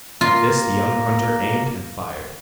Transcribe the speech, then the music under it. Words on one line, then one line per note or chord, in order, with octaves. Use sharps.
At this the young hunter aimed and fired.
A#3 F4